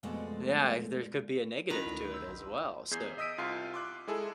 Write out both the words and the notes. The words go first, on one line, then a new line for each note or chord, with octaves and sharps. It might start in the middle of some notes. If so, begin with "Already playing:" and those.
yeah, there could be a negative to it as well, so
F2 B2 G#3 A3 F#4 D5
D#3 C#4 E4 F4 B4 A#5
D2
C6 E6 G6
B1
E2 G#4 G6 G#6 C7
D#5 D#6 E6 B6 D7 D#7
C2 F4 C6 F6 C7
C6 D6 F#6
G#3 E4 G#4 A4